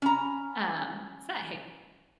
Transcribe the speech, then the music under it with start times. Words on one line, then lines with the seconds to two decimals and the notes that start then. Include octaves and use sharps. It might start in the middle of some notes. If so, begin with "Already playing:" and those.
um, it's that hair.
0.02 C#4 A#5